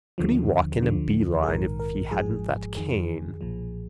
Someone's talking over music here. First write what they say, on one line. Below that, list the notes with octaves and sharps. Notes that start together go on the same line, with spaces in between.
Could he walk in a beeline if he hadn't that cane?
D#2 D3 F3
D2 D3 F3
G#4
A#1 G#2 D#3 A#4
A#4
G#1 G#2 F3 G#4
F2 D#3 G#4
B1 A#2 F3